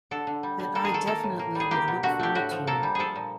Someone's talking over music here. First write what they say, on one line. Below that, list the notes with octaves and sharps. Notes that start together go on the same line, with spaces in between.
That I "definitely" would look forward to.
D3 A4
D3
G3
G3
A#3 A4
G#4
D#3 A4
A#3 A4
A2
A#3
G3 G#4
A#3 G4
B2
D3 F#4
A3 G4
A2 F#4
F3
A#3 A4
G3
F3 G#4 A4
A#2